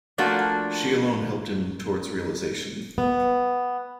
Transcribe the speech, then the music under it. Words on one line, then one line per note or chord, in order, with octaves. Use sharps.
She alone helped him towards realisation.
F3 A3 A#3 D4 F#4 D5
B3